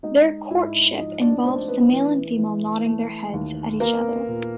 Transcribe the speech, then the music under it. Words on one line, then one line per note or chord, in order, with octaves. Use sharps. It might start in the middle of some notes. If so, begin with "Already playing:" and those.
Their courtship involves the male and female nodding their heads at each other.
G#3 D#4 D#5
G#2 E4 E5
F3 D#4 D#5
D4 D5
A3 C4 C5
B3 B4
E3
E3
A3
D#2
A#3 B3 A#4
A#2